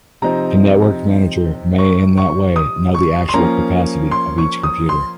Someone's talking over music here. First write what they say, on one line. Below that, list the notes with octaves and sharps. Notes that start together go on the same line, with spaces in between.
A network manager may in that way know the actual capacity of each computer.
C3 F3 C4 D#4 A#5
C#6
C#6
D#6
C#6
C6
F3 A#3 C#4 A#5
C6
C#6
D#6
C6